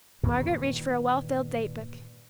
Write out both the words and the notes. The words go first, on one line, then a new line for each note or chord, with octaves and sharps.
Margaret reached for a well-filled date-book.
G2 A#2 D#3 E3